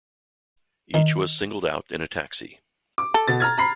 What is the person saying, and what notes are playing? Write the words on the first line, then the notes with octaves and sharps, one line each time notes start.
Each was singled out in a taxi.
D#3
D6
A4
B2 A6
A#5 F6 G#6
A#5 B5 C7